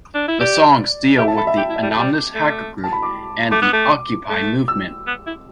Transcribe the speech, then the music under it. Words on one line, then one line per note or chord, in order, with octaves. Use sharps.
The songs deal with the Anonymous hacker group and the Occupy movement.
D4
E4
G4 D5
G4 E5
A5
A4 B5
E5
G4 G5
E4
E5
G3
A3
G3 D6
A3
A5
B5
D6
A3 D6
B3
A3
A3
E6
B3
E4